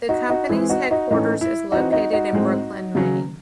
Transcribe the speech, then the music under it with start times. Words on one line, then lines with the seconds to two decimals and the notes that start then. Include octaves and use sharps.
The company's headquarters is located in Brooklin, Maine.
0.09 D#4 F#4
0.29 D#4 F#4
0.49 E3 G#3 C4 E4 G#4
0.70 D#4 F#4
0.91 D#4 F#4
1.10 A2 E3 A3 C#4 D#4
1.41 E4
1.72 E3 C4 D#4 F#4
1.92 D#4 F#4
2.13 D#4 F#4
2.33 A2 G#3 C4
2.95 C#3 F#3 C#4